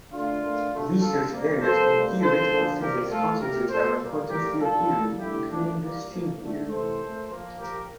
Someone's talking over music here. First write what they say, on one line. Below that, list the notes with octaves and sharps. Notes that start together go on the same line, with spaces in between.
Research areas in theoretical physics concentrate around quantum field theory including the string theory.
D3 A3 D4 F4
A#2 A3
D3 A3
D3 F3 A#3 F4 A4
C3 G3 A#3
A#2 F3 A#3 A4 C5
A2 G3 A#3
A#2 F3 A#3 A4 C5
D3 F3 A#3
C3 G3 A#3 G4 A#4
A2 F3 A3 F4 A4
A#2 A3 G4 A#4
A#2 A3 A4 C5
A#2 G3 A#3
A2 G3 A#3 G4 A#4
A#2 G3 A#3 F4 A4
A2 G3 A#3
D3 A3 E4 G4
A2 E3 A#3 D4
A#2 G3 A#3
A2 F3 A#3
D3 A3
C3 E3 A3 A4 C5
A#2 A3
A#2 F3 A#3
A#2 F3 A#3 G4 A#4